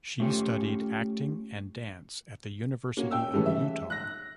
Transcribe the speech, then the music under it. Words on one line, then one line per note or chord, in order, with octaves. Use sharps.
She studied acting and dance at the University of Utah.
A3 C#4 F4 G4 C#5
A#3 C#4 F#4
G5 E6
C#3 E3 G3 A3 C#4
E5
F#6 A#6